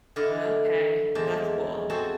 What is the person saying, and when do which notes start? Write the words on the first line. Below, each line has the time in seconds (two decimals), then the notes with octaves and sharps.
Okay. That's cool.
0.16 D3 E4 D5 D#5 F5
1.15 E2 G#3 A#3 C5 A5
1.90 C4 F#4 G#4 A4 C5 A5